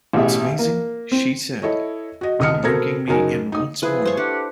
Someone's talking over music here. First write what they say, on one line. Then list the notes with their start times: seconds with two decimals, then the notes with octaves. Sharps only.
'It's amazing' she said, drinking me in once more.
0.13 A1 B2 C#4 G4 G#4 E5
0.59 A#3
1.12 C4
1.62 E4 A4 C#5 D#5
2.21 F#4 D#5
2.39 D#1 C2 D#5 D#6 F6 C#7
2.63 B2 C4 A4 A#4 G#6 A#6
3.07 F#1 F#3 D#4 A#4 G#5
3.52 D#4 D#6
3.82 F3 E4 G#4 B4
4.05 C5 C#5
4.17 A3 D4 G4 F#5